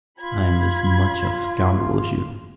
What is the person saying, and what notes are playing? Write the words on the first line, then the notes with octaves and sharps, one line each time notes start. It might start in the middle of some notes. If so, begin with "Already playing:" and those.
I am as much a scoundrel as you.
F4 B5 G#6